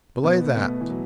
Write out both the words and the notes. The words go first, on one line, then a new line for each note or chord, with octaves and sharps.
"Belay that!"
B2 B3
A3
B2 B3
E3
F#3